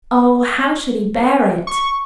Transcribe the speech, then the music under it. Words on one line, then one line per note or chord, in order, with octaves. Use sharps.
Oh! how should he bear it?
C#6